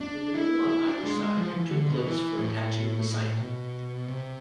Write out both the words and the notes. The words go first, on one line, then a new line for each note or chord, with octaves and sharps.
In the middle on either side are two clips for attaching the sight.
D4
E4
E4
D4
G#3
G#3
F3
E3
D3
B2
E3
A2
B2
C3